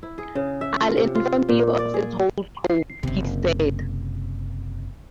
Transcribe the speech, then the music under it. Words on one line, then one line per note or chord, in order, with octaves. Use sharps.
'I’ll inform you of its whole scope,’ he said.
E4
G#4
C#3
E5
F4
C3
F4
A#2
D5
G#4
F#1 C3